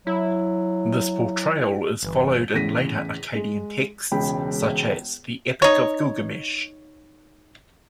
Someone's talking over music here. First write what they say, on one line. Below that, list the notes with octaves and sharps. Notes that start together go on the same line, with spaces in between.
This portrayal is followed in later Akkadian texts such as "The Epic of Gilgamesh".
F#3 E4
G1 E3
E2 A2 C#3 A#6 B6 D#7
G#3
E1 C#2 G#4 G5 B5
D#4 C#5